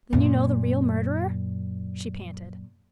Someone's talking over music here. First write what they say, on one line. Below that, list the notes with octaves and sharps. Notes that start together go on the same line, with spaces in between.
"Then you know the real murderer?" she panted.
F#2 A#2